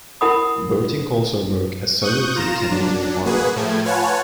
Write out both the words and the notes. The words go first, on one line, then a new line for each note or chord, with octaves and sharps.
Berting calls her work "A Salute to the Canadian farmer".
E4 A#4 F#5 B5 D#6
C#6 D#6 F#6 G6
F4 A#5 A#6 E7
F#3 D4
A#3 F#4 G#4 B4
A2 F3 A3 G#6
F4 B4 C#5 F#5 G#5 A5